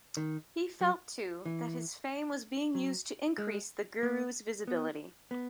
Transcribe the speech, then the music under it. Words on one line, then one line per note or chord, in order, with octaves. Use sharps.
He felt too that his fame was being used to increase the guru's visibility.
D#3
F#3
E3
F#3
G#3
A#3
B3
B3